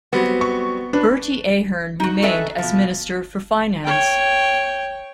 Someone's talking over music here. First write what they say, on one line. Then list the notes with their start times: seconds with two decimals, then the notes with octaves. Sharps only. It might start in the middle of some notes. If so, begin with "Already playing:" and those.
Bertie Ahern remained as Minister for Finance.
0.13 F#3 G3 B3 C4
0.41 C#6
0.93 D4 B4
2.00 D#4 F#4
2.22 F#4 A4 B4 D#5 E5 G#5
2.58 B2 F3
3.85 C#5 G5